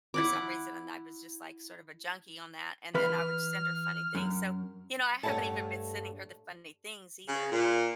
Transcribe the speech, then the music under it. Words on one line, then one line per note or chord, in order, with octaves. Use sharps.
for some reason and I was just, like, sort of a junkie on that, and then I would send her funny things, so, you know, I haven't even been sending her the funny things either
E4 F#5 D6
E3 B4 B5 F6
F#2
G2 A3 G4 C#5 F#5 A5
C#3
A#2